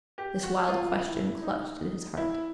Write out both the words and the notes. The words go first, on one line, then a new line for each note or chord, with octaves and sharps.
This wild question clutched at his heart.
G4
F#4
F4
E4
D#4
E4